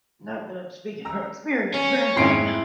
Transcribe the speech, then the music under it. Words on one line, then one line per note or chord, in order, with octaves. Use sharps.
Not that I'm speaking from experience or anything.
A#5 E6
C#4
F2 G#2 E4 C6 C7 D7